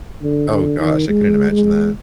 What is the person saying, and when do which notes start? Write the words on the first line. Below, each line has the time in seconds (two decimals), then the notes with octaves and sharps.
Oh gosh, I couldn't imagine that.
0.22 D3
0.51 D3
0.80 D#3
1.09 G#3
1.51 G#3